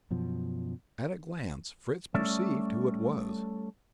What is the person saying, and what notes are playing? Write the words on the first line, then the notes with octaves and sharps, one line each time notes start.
At a glance Fritz perceived who it was.
F#2 B2 F3
G3 A3 C#4 A4 D5 E5